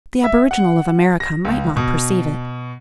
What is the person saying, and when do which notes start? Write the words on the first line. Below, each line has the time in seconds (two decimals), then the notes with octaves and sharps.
The aboriginal of America might not perceive it.
0.24 E5
0.51 F#5
1.20 A#6
1.45 C#2
1.77 B2